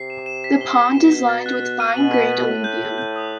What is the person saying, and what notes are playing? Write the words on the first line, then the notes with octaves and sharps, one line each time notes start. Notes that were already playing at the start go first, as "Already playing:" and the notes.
The pond is lined with fine-grained alluvium.
Already playing: C3 C7
E7
E7
B6
G7
B6
B2 E7
E7
A6
F#6
F#6
D#7
B2 F#7
B6
B6
A2 B6
G6
F#7
G6
D#6